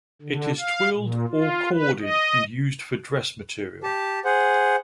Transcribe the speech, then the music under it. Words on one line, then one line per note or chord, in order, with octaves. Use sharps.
It is twilled or corded and used for dress-material.
D3
F5
A#2
F4
B4
D#5
G4 A5
G#4 C5 F#5